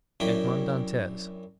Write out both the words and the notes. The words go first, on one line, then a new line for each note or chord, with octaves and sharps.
Edmond Dantes.
F#2 D4 E4 D#5 G5